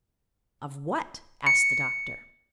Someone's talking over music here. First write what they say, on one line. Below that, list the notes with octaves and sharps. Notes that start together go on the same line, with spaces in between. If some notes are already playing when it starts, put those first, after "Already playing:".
"Of what?" asked the Doctor.
C#7